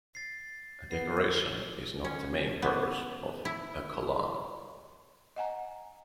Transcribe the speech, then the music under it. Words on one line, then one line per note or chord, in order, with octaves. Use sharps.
Decoration is not the main purpose of a Kolam.
A6 C7
B3 C7
C#4
B3
E4
D#5 F#5 G#5 A#5